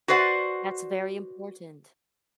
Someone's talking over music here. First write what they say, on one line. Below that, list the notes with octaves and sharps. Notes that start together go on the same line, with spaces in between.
That's very important.
F#4 B4 C5 D5 F#5